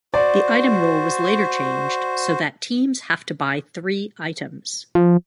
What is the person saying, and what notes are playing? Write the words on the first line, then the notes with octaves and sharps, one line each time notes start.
The item rule was later changed so that teams have to buy three items.
F#4 C5 D5
F3